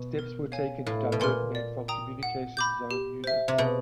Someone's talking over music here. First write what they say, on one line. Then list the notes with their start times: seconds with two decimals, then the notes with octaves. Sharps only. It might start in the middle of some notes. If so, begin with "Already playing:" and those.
Steps were taken to divert men from Communications Zone units.
Already playing: B2
0.19 A#4
0.52 C#5 F5 G#5
0.86 A2 F5
1.12 B2
1.20 A#2 G#5 C6 F6
1.55 D5
1.88 G5 A#5 D#6
2.23 F#5
2.57 B5 D6 G6
2.91 G4
3.24 C5 E5
3.48 C3
3.58 B2 G#4